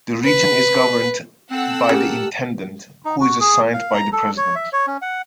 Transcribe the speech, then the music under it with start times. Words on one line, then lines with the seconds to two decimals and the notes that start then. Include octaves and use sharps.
The region is governed by the intendant, who is assigned by the president.
0.24 B4
1.51 C4 A4 F#5 E6
1.89 C#3 G4 A#4
3.05 D#4
3.21 F#4
3.40 G#4
3.74 F5
3.94 A#5
4.13 A4
4.37 C#5
4.55 E5
4.73 C#5
4.87 C#4
5.02 F#5